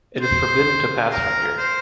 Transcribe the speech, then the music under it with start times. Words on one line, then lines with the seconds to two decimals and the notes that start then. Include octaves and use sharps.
It is forbidden to pass from here.
0.21 C5
1.12 A#4
1.58 C5